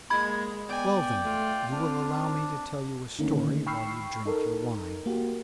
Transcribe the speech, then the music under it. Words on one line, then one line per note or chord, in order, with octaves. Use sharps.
Well, then, you will allow me to tell you a story while you drink your wine.
G#3 A#3 B5 G#6
B3 D5 G5 G#5
A3 F4
C4 D4
D3 D#3 A3 A#3 C#4 D#4
G5 B5 C#6 E6 F6 C7
D#4 A4 A#4
A#3 F#4 G4